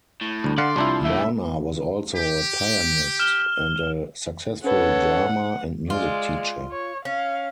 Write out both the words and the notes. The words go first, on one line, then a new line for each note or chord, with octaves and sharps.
Morna was also a pianist and a successful drama and music teacher.
A2
D2 G3
D3 D5 F5 F#5 C6
C2 F3 D4 E4
D2 A2 E5
G4
F6 E7 G7
C#4 A4 B4 C#5 F#5
G#3 F4 D5
C#5
C#4 F5